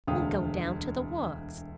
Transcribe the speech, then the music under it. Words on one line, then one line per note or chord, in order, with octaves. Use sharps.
We'll go down to the Works.
E1 D2 F5 G5 D#6